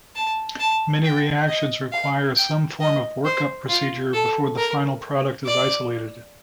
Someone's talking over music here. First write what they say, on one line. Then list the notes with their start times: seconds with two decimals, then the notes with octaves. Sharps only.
Many reactions require some form of work-up procedure before the final product is isolated.
0.16 A5
0.60 A5
1.04 G5
1.48 D#5
1.92 F5
2.37 G5
2.81 D#5
3.25 C5
3.69 F4
4.14 A4
4.58 A#4
5.46 D5